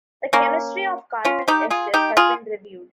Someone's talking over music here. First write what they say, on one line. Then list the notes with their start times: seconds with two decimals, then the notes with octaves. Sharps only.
The chemistry of carbonate esters has been reviewed.
0.33 A#3 C#4
1.25 C#4 F4
1.48 D#4 G4
1.70 F4 G#4
1.94 D#4 G4
2.17 F4 G#4